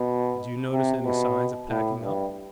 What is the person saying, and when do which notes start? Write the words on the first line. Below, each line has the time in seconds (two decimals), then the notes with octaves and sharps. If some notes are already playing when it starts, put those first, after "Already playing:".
'Did you notice any signs of packing up?'
Already playing: B2
0.72 C3
1.05 B2
1.70 A2
2.02 G2